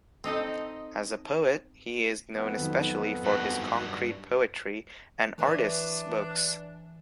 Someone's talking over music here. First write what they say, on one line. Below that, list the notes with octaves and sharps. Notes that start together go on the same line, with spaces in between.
As a poet he is known especially for his concrete poetry and artist's books.
C4 D#4 A4 D#5
F2 B3
D#3 F#3 D#4
G2 F#4
E3 D4 G#4 B4 C#5 E5